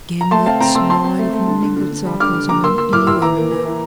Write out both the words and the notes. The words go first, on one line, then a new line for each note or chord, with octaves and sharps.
Again that smile of mingled sarcasm and innuendo.
A#5
A3 A5 C6
C4 F5 A5
C4 G5 A#5
A3 C6 E6
C4 A5 C6
C4
A3
A3
D3
D3
D3
D3
G3
D3 D6 F6
D3
D3 A#5 D6
A#3 C6 E6
A#3 C6 E6
A2 D6 F6
A2 C6 E6
E3 A#5 D6
A#3
E3
E3